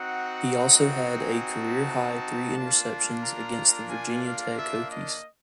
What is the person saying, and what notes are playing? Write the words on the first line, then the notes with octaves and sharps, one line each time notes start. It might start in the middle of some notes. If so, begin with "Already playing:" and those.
He also had a career-high three interceptions against the Virginia Tech Hokies.
Already playing: C4 D#4 F#4 F#5
G#5
A5
A#3 D4 F4
A#5
G#5
F5
E5
D#5